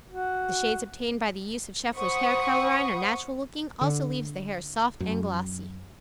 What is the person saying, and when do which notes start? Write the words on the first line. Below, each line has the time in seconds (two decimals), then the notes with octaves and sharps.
The shades obtained by the use of Scheffler's Hair Colorine are natural looking also leaves the hair soft and glossy.
0.09 F#4
1.96 C5 F#5 B5 C#6 D#6
3.81 D3
5.00 F#2